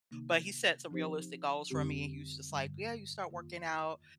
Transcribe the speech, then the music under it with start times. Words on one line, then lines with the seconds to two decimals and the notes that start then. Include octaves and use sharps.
But he set some realistic goals for me and he was just like, "Yeah, you start working out.
0.11 C3 D#3 A#3 D#4
0.91 F3 C4 D#4 G4 C5
1.70 F2 D3 G3 C4 G4
2.51 G2 D3 G3
3.30 F2 D#3 A#3 F4